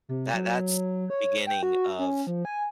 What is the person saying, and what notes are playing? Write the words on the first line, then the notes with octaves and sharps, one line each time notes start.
that that's the beginning of
C3
F#3
C#5
G5
F#4
C#4
F3
G#5